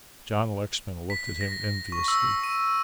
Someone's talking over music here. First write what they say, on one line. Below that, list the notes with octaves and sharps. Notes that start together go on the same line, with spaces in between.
John Lexman looked at him enviously.
B6
A#6
C#6
E6
D#7